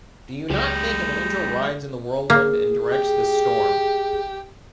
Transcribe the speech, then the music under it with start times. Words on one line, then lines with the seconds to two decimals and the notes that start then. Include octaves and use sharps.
Do you not think an angel rides in the whirlwind and directs this storm.
0.50 C#2 G#3 D#4 G4
2.30 A#3 G#4
2.92 G4